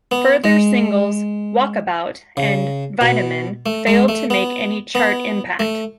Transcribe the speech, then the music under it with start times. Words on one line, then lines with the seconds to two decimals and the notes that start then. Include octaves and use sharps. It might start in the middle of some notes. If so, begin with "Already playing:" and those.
Further singles "Walkabout" and "Vitamin" failed to make any chart impact.
0.11 B3
0.44 G#3
2.37 C#3
3.01 B2
3.66 A3
3.87 G#3
4.08 A3
4.30 B3
4.95 B3
5.59 A3